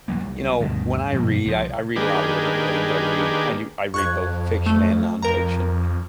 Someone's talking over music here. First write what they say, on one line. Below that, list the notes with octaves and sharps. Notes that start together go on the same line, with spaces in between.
you know, when I read, I I read a lotta different things, I read I do I read both fiction and nonfiction,
C2 F2 F#3 A#3
D2 G2 B2 D#3
G2 B2 F3 A#3
C2 F3
D#3 A#3 D4 G4 G#4 B4
F2 C#6 F#6 G#6
A3
F2 A#4 A#5